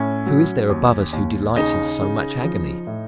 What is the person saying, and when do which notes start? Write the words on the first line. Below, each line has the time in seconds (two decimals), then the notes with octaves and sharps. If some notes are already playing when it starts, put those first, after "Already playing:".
Who is there above us who delights in so much agony?
Already playing: A2 C#4
0.26 F#3
0.69 D#2
1.13 D#2
1.56 C#3 D#4
2.00 C#3
2.44 F3
2.87 A2